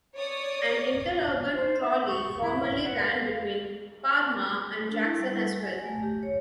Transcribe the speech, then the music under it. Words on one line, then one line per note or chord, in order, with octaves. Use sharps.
An interurban trolley formerly ran between Parma and Jackson as well.
C#5 D5 D#6
C5
E5
C#6
E4
F#5
F5
A3
D4
E4
G3
F#5
G#5
A3
G4
C#5